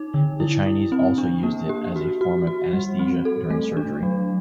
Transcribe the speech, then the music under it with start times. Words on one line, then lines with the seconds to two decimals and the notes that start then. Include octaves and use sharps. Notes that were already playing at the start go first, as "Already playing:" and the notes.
The Chinese also used it as a form of anesthesia during surgery.
Already playing: D#4
0.14 D3
0.40 E4
0.66 E4
0.92 C4
1.18 D4
1.43 A#3
1.69 G4
1.96 F#4
2.21 F#4
2.47 F#4
2.73 G3
2.99 C4
3.25 A4
3.50 A3
3.77 D4
4.03 F#3